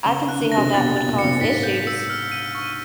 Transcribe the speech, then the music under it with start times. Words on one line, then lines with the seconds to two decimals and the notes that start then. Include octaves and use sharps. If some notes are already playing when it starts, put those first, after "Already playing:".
I can see how that would cause issues.
0.06 C#3 G7
0.29 F#6
0.40 D3
0.52 A#6
0.57 C3
0.74 B2 A6
0.91 B2
0.97 A6
1.08 A#2
1.18 B2 C#7
1.25 C3
1.41 G#2 B6
1.63 G6
1.87 E6
2.10 F6
2.32 D#7
2.55 C#6